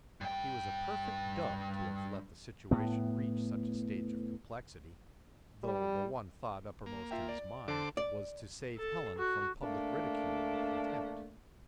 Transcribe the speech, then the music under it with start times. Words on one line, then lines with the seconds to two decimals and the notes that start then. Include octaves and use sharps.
He was a perfect dub to have let the situation reach such a stage of complexity, though the one thought uppermost in his mind was to save Helen from public ridicule and contempt.
0.21 G2 G5
2.71 A2 B3
5.64 G3
6.86 A#3
7.11 F4 E5 G5
7.29 D5
7.68 D3 C5 D5 A5 D6
7.97 D5
8.77 A4
9.18 F#4
9.61 A3 A#3 D4